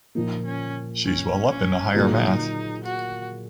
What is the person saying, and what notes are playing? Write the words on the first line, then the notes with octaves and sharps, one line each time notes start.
She's well up in the higher math.
A#2 F3 A#3 D#4
C#4
C#4
C#4
A#2 F#3 A#3 D#4 F4 G#4
F#4